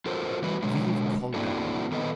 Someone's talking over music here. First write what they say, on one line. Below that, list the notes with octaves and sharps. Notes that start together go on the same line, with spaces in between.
Vive Colbert!
F4 F#4 A4 A#4 C5
E3 G3 A3 F#4 B4
B2 D3 F#3 G#3
A#3 C4 D4 E4 F#4 A4
D#3 B3 A4 B4 D#5